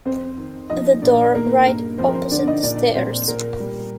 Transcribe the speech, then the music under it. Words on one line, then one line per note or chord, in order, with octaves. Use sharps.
The door right opposite the stairs.
F2 C4 C5
D#3
F3 D#4 D#5
A#2 D4 D5
D#3 A#3 A#4
G2 A#3 A#4
F3 C4 C5
A#4
C4 C5
D3 D4 D5
D#4 D#5
A#2 D4 D5
A#2 C4 C5
A#2 A#3 A#4
G3